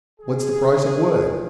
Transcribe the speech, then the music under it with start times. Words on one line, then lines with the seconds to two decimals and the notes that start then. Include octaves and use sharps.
"What's the price of wood?"
0.20 G#4